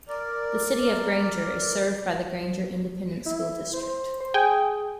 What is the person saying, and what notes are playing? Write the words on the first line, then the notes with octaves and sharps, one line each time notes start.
The City of Granger is served by the Granger Independent School District.
A#4 D5
E4
C5
C5
G#4 G5 G#5